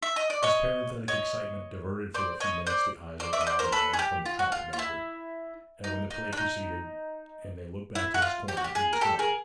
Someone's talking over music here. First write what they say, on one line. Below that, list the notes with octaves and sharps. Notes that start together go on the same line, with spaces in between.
This parenthetic excitement diverted for a few minutes the eyes of Bob and Anne from the trumpet-major; and when the play proceeded, and they looked back to his corner, he was gone.
E5
D#5
D5
C#5 D#5
C#5 D#5
C5 D5
C#5 D#5
C5 D5
C5 D5
D5 E5
D#5
C5 D5
A#4 C5
A4 B4
G#4
G4
F4
F#4
F4
F4
E4
D#4
D#4
D4
D#4
E4
F#4
F4
G4
F#4
G4
G#4
A#4
G4 A4
G#4 A#4